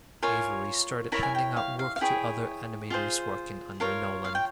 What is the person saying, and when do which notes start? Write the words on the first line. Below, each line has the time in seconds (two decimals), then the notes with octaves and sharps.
Avery started handing out work to other animators working under Nolan.
0.23 F4 A#4 C#5 G#5
1.12 E4 A#4 C#5 A#5
1.23 G#5
1.35 G5
1.57 F5
1.79 F5
1.96 F5
2.01 E4 G#4 C#5 G5
2.90 F4 G#4 C5
3.80 F4 A#4 C#5
4.25 F5
4.35 G5